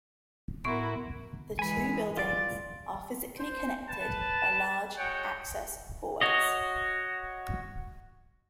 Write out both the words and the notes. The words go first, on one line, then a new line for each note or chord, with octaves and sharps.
The two buildings are physically connected by large access hallways.
A2 B3 E4 F#4 A#4 C6
E3 G#3 G#5 B5
F4 D5 A6
C5
B4 A5
G#3 F#4 C#5 F#5 G5
F#4 C#5 D#5